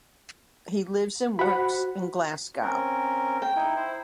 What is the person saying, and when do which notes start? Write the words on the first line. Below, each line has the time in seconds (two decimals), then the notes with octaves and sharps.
He lives and works in Glasgow.
1.39 F#4 C5 F#5 B5
2.61 C4 C#4 A#4
3.42 G5
3.56 D#4 E4
3.76 E4 C5